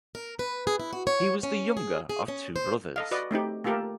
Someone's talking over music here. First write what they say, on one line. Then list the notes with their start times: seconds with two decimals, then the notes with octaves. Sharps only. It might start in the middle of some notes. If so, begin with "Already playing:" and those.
He was the younger of two brothers.
0.15 A#4
0.39 B4
0.67 G#4
0.80 E4
0.93 F#4
1.07 C#5
1.43 C#4
1.77 G#4
2.09 G#4
2.28 C#4
2.56 C5
2.96 A4 D#5 F5
3.11 F#4 B4 D5 D#5
3.31 A3 C4 D#4 G4
3.64 A3 A#3 F4 G4 A4 A#4